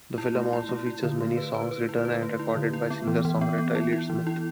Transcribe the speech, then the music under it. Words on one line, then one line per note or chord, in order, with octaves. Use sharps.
The film also features many songs written and recorded by singer-songwriter Elliott Smith.
E4
A3
E4
A3
E4
D3
A3
B4
B4
B4
E4
B4
A3
E4
D3
E4
B3
E3
E3
B3
B3
E4
E4
E3
E4